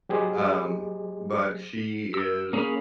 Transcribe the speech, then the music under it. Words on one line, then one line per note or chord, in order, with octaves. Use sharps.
um, but she is
F#3 G4 G#4 C5 D#5
E6
A#3 C#4 G#4 F5 B5